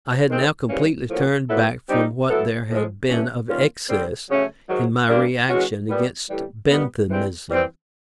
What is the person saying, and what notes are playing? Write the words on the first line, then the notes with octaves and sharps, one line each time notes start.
I had now completely turned back from what there had been of excess in my reaction against Benthamism.
D#3 G#3 C4
G#2 E3 G3 A#3 C#4
A2 F3 A#3 C#4 F#4
A#2 F#3 B3 E4 A4
G3 C4 D#4
F#3 B3 E4 A4
A2 F3 G#3
G2 E3 A3 C#4
D#3 G3 A#3 C#4 F4
D3 G3 C4
C#3 F#3 A3 C#4
G#2 D#3 F#3
G3 A#3 D4
E3 G#3 C#4 F#4
A#2 G3 B3
A2 E3 G3
G2 D#3 G3 B3
G#2 E3 G3 C4
E3 G3 C4